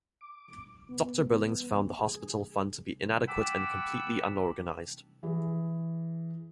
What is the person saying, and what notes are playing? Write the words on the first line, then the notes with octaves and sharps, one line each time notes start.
Doctor Billings found the hospital fund to be inadequate and completely unorganized.
D6
B3
G#4
F#5 G5 A5 B5 D6 E6
E3 G#4